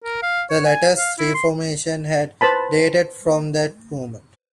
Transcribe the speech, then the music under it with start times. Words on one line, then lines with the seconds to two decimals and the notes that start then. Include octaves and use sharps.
The latter's reformation had dated from that moment.
0.04 A#4
0.22 F5
0.50 C#5
0.65 G#5
0.98 F5
1.19 E4
1.34 C6
2.41 B4 C5 A5 B5